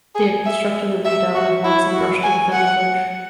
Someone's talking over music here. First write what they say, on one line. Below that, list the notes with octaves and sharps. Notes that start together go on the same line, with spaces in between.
They had constructed a redoubt of logs and brush to defend the bridge.
G#4
E5
E5
F#4
E4
F#4
G#5
F#5